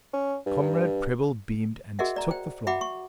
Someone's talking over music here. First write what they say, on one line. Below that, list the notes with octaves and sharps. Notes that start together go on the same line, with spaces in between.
Comrade Prebble beamed, and took the floor.
C#4
G2
F#4 G#4 A#4 D#5 E5 F#5
D5 A#5
C5 G5
F#4 E5 F#5 G5 B5 D6
C#6